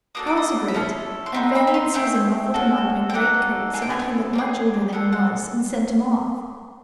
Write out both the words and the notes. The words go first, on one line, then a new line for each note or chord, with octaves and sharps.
Charles agreed, and Fanny and Susan muffled him up in a greatcoat so that he looked much older than he was, and sent him off.
A#3 D4 F#4 A4 D#6
D6
D#6
B5
C#4 E4 A4 C6
C6
C4 D#4 F#4 B5
B5
B5
C6
A3 C4 G#4 G5
C#4 F#4 A4
G5
A#3 D#4 F#4 A4 F#5
D4 F4 A4 G#5
G5
G#5
A#3 D#4 G#4
C4 F4 A4 F#5
F#5